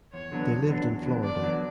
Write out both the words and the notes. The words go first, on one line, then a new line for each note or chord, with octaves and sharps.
They lived in Florida.
E2 C#5
D3 F#3 B3 D4
E2
D3 F#3 B3 D4
E2
D3 F#3 B3 D4
E2 D5
D3 F#3 B3 D4